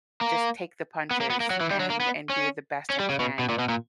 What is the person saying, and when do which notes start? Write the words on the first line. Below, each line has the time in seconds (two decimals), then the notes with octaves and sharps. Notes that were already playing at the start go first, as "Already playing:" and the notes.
just take the punches and and do the best I can,
0.21 A#3
1.11 B3
1.20 A#3
1.30 B3
1.40 A#3
1.50 F#3
1.61 E3
1.71 G3
1.80 F#3
1.90 A#3
2.00 B3
2.30 C#4
2.90 C#4
3.00 G3
3.10 C#3
3.20 B2
3.39 B2
3.49 A#2
3.59 B2
3.69 A#2